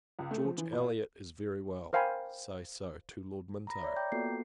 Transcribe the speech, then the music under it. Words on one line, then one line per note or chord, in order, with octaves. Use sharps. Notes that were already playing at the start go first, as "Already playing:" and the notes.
George Elliot is very well; say so, to Lord Minto.
C#2
A3
F3
E3
A#2
A#4 C5 F5 G5 G#5 B5
A#5 B5 A#6
C#5 D5 E5
G5 A#5 D6 G6
A#3 B3 F4 F#4 A4 C7